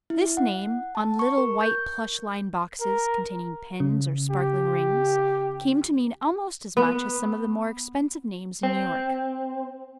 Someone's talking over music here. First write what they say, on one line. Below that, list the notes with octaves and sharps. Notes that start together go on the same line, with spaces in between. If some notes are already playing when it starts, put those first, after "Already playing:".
This name, on little white plush-lined boxes, containing pins or sparkling rings, came to mean almost as much as some of the more expensive names in New York.
E4
F#5
A5
C#6
A#4
G6
A#4
C#3
G4
B3
C4